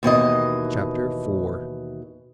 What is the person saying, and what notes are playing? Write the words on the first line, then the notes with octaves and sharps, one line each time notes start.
Chapter IV.
D#2 B2 E3 D#5